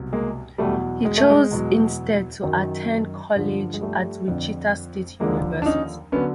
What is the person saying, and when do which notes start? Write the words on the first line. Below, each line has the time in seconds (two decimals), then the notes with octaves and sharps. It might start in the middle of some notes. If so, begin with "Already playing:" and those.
He chose instead to attend college at Wichita State University.
Already playing: C2 B2 F#3
0.13 G#3 A#3
0.58 E2 B2 F#3 G3 A3
1.05 G#3
1.18 A3
1.30 G#3
1.51 E2 B2 F#3
2.43 F#2 D#3 F#3
3.35 G2 D3 F3 G#3
3.74 G#3
3.81 G3 A3
4.28 F2 D3 F3
5.20 D#2 D3 F3 G#3 A#3
5.62 D4
5.66 C#4 D#4
6.12 D3 F#3 B3 C#4